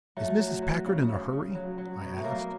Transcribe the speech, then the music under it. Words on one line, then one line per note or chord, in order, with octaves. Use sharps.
"Is Mrs. Packard in a hurry?" I asked.
F#3 A3
F#3
F#3
C#3
C#3
C#3
F#3
F#3
B2
A3
F#3 A#3